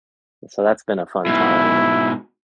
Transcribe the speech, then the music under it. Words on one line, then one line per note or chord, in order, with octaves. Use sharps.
And so that's been a fun time, and,
G#2 B2 E4